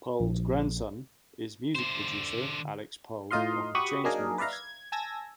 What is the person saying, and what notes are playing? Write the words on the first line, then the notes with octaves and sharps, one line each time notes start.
Pall's grandson is music producer Alex Pall of The Chainsmokers.
A#1
D3 C5
A2 D#4 F4 D#5 F5 C6
F#4 G4 B5 C#6 D#6
F#3 A#3 D4 D#4 G#4 A#4
B4 D5 E5 F5 A#5
G#6
G#5 A5 E6 G#6 A#6